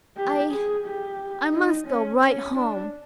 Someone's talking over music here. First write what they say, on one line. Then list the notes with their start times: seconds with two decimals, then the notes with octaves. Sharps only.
"I--I--must go right home."
0.17 G4
0.52 G#4
0.86 G4
1.53 D#4
1.87 C#4
2.22 C#4
2.56 D4